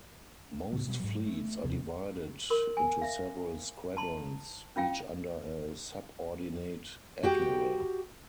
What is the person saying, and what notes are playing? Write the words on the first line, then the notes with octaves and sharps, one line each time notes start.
Most fleets are divided into several squadrons, each under a subordinate admiral.
D2 A2 C#3 F#3
B2 G3 B3
G#2 F#3
A3
D#2 C3 D#3 F3
A#4 C6
G#5
E5 F5
A5 A#5 C6
C#4 F4 F5 G5
F#4 G4 G5